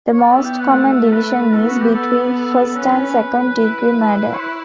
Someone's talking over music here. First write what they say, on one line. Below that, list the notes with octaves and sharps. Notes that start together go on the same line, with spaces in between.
The most common division is between first- and second-degree murder.
C#5
D5
B3 E5
G5
F#5
A3 F#5
E5
A4
B4
B3 A4
F#4
G4
B3 A4
A4
A4
C#4 B4
E4
E4
C#5
B4